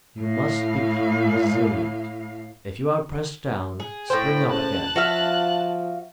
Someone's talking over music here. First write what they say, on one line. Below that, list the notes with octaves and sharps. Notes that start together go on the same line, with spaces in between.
You must become resilient; if you are pressed down, spring up again.
A2 F5
G#4
A2 C5 G5 B5
C#3 A5 F#6
F3 F#4 E5 F5